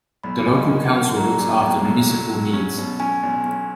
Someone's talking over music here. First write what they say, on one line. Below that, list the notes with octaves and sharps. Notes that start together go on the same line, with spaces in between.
The local council looks after municipal needs.
B1 B5
A#2 D#5
F5
A#3
F#5
A#3
F#3 A#5
A#2
B1
B1
F#3
F#3
C#4
B2
C#4 G#5
B1
C#4